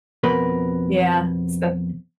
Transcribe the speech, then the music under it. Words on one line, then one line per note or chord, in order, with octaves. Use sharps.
Yeah, so
F2 B2 A#4 B4 C6